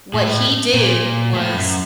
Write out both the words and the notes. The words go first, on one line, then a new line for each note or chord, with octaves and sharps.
what he did was
A2
A#2
A2
F#2